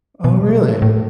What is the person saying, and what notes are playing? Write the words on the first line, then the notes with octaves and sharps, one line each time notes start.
Oh, really?
B2
A2